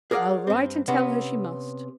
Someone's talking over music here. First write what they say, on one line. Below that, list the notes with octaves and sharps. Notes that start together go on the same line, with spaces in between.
I'll write and tell her she must.
G#4 A#4 D5 D#5 F5 F#5
G2 C4
C3 B3 C#4